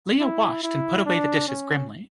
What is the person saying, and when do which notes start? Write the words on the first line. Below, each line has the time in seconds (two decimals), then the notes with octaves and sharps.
Lia washed and put away the dishes grimly.
0.21 E4
0.63 E4
1.06 D4
1.48 C#4